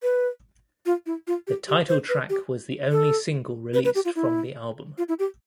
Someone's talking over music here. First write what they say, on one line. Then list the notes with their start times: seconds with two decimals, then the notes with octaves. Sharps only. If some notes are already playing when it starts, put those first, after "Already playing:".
The title track was the only single released from the album.
0.03 B4
0.86 F4
1.06 E4
1.27 F4
1.47 G4
1.68 G4
1.89 C5
2.09 B4
2.30 G4
2.92 A4
3.74 B4
3.85 B4
3.95 G4
4.05 F4
4.16 E4
4.98 F4
5.09 E4
5.19 G4